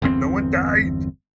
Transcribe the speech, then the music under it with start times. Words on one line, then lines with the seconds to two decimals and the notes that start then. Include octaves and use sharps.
And no one died.
0.02 G1 E2 C4